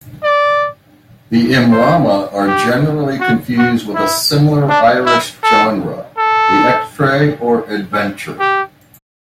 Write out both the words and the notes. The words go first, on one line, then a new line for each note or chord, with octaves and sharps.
The immrama are generally confused with a similar Irish genre, the "echtrae" or "adventure".
D5
C5
G4
F#4
F#4
E4
D4
E4
A4
A4
G4